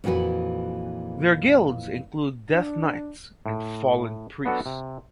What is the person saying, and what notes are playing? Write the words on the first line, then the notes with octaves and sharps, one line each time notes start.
Their guilds include death knights and fallen priests.
F2 A#2 E3 F#4 B4
D4
A2
F#3 B3 D4 F#4 A4
C3